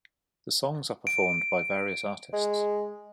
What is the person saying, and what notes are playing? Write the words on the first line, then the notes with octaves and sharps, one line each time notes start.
The songs are performed by various artists.
D7
G#3